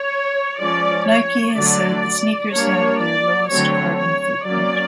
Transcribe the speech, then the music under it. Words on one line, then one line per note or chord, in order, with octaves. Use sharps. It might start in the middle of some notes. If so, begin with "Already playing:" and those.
Nike has said the sneakers have their lowest carbon footprint.
Already playing: C#5
F3 G#3 C#4 D5
C#5
D3 F#3 A3 D5
G3 A#3 D4 C#5
D5
D3 F#3 A3 C4 C#5
C#5
F#3 A#3 C#4 D5